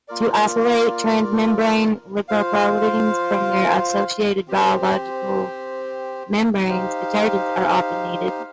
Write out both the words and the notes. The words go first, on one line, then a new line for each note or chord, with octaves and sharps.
To isolate transmembrane lipoproteins from their associated biological membranes, detergents are often needed.
A#3 F4 A#4 D5
F4 C5 F5
C4 G4 C5
D#4 G4 C5 F5